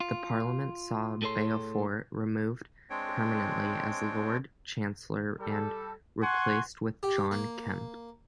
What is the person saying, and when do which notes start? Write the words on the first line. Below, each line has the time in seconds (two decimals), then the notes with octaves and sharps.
The Parliament saw Beaufort removed permanently as Lord Chancellor and replaced with John Kemp.
0.01 F4
1.22 A2 G#4 A4 C#5 C6
2.90 G#3 C4 D4 C#5 G5
5.39 G3 A4
6.22 F#5 G#5 C6 C#6
7.03 G4
7.31 A#3